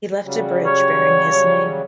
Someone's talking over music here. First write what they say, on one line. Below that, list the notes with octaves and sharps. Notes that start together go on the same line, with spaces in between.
He left a bridge bearing his name.
C#3 F#3 G3
C#5